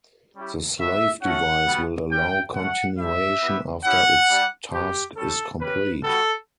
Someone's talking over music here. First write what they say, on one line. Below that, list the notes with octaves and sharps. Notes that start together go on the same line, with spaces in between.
The slave device will allow continuation after its task is complete.
G3 C#4 E4 G4
B3 F#4 E5
A3 C#4 F#4 F#5
G3 B3 F#4
C#4 G4 G5
A3 C#4 F#4 F#5
A3 E4 G4 E5
B3 E4 G4
C#4 E4 G4 F#5
G3 D4 G4
B3 F#4 G4
G3 C#4 G4 A4
C#4 G4 B4
G3 B3 F#4 A4